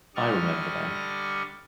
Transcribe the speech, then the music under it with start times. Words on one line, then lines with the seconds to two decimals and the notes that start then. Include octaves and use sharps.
I remember them.
0.15 D3 G3 D5 D#5 C#6 F6